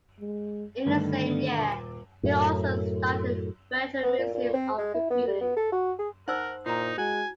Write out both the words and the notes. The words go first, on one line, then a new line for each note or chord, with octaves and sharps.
In the same year he also started the Virtual Museum of Computing.
G#3
G2 D3 D#3 A3
D#1 D6
F#2 A2
B3
A#2
A#2
C4
G#3
E4
B3
G3
B3
A4
F#4
G#4
D#4 A#4 C5 F#5 E6
A#2 D#4 E4 C5 A#5
G#3 F#4 G#5